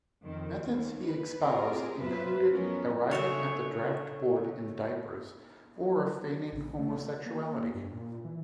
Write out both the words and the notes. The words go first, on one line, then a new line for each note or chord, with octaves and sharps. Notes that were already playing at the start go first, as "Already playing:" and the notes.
Methods he espoused included arriving at the draft board in diapers or feigning homosexuality.
F2 D#3 C4
D#2
B4
C4 F4 G4 G#4 A#4
F#2 F#3 F4 B4 C5 E5
F3 F#3 G#3 B3 C#4 A#4
C#3 F#3 A3 D4 C#5 E5
F#3
F#3
A1
A3
A#3
G2
A#2
E3